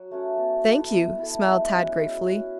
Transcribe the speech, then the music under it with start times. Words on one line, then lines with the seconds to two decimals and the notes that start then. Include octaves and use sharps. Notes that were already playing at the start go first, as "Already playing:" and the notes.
"Thank you," smiled Tad gratefully.
Already playing: F#3
0.11 A3 C#4 F#4
0.37 B3
0.65 E4 A4
0.91 B3
1.19 E4 A4
1.45 G#3
1.73 C#4 F#4
1.99 G#3
2.26 C#4 F#4